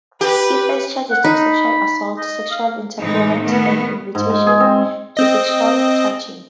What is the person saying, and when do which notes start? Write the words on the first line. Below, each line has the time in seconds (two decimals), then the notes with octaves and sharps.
He faced charges of sexual assault, sexual interference and invitation to sexual touching.
0.21 G4 B4
1.11 F#5
1.24 D#4 B5
2.18 D#5
2.51 F5
2.97 A2 C3 E3 G#3 D#4
3.40 D#3 A3 B3
4.15 G#2
4.30 G#2
4.47 G#4
4.60 C4
5.17 C4 D#5